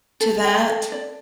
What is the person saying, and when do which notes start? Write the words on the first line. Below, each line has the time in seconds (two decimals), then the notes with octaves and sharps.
to that.
0.20 A4
0.44 G5
0.68 A4
0.92 D5